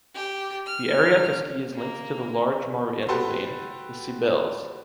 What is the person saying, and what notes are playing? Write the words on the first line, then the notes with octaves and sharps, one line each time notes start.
The area to ski is linked to the large Maurienne domain, the Sybelles.
G4
F6
A#3
F#4 G4 A4 B4 C6